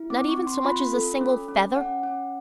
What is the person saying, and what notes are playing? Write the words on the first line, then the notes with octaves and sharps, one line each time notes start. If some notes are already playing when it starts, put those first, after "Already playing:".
"Not even so much as a single feather?"
Already playing: E4
C4 D6
C#6
C4
C6
F4 B5
A4
C#4
C#4
C#4 F#5
C#4